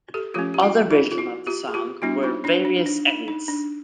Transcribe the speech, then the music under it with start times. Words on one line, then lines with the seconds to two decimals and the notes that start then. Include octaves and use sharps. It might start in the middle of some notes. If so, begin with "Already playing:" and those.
Other versions of the song were various edits.
0.14 G4 A4
0.34 F3 A3 C#4 F4 G4
0.54 G4
0.62 E4 F#4
0.91 D#4 F4
1.12 F4
1.18 E4 F#4
1.47 F4 G4
1.68 G#4
1.74 F4 G4
2.02 G3 B3 D4 E4 F#4
2.23 D#4 F4
2.44 D4 E4
2.65 D4
2.77 D#4
2.86 D4
3.07 D#4
3.28 D#4
3.48 D4